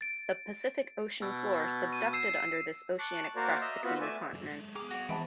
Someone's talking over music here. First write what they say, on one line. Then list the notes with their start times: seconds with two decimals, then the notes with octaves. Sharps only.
The Pacific Ocean floor subducted under this oceanic crust between the continents.
0.01 A6 D7
1.22 B2 E6
1.93 D#7
2.13 E6 C7 E7
2.99 A5 C#6 D6 F#6
3.36 A#3 F#4 A#4 C5 D5
3.61 D#5 E5 A#5
3.84 B3 C4 F4 F#4 B4
4.01 A3 D5 E5 G#5
4.33 F#2 G#4
4.46 G#3 A4
4.75 B3 G#4 A#5 D6
4.91 F#4 D5
5.09 E3 G#3 C4 A5 B5 D7